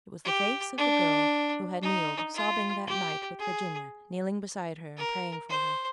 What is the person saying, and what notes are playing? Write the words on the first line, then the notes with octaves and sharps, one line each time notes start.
It was the face of the girl who had kneeled sobbing, that night with Virginia kneeling beside her and praying for her.
G4
D4
D#4
F4
G4
G#4
A#4
C5